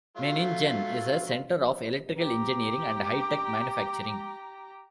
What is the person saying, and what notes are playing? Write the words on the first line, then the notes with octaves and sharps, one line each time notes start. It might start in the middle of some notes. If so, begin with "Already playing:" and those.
Meiningen is a center of electrical engineering and high-tech manufacturing.
F#3 A3 F4
G4 A#5